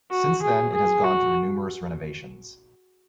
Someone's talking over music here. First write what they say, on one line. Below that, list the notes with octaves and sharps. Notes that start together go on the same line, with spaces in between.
Since then it has gone through numerous renovations.
F#4
G#4
G#4
F#4